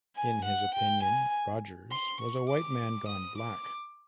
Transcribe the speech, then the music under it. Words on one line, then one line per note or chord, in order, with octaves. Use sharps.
In his opinion Rodgers was a "white man gone black".
G#5
F#5
G5
G#5
C6
C#6
D6
D#6
D6